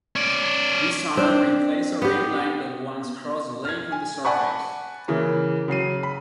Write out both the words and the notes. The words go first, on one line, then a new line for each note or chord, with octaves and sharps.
This tunnel replaced a rail line that once crossed the lake on the surface.
C#4 D5
C4 D4
B3 G4
F6 G#6
G#5
D5 F#5 G#5 A5 B5 C#6
C#3 E3 A#3
C#3 F#3 C7 D#7
B5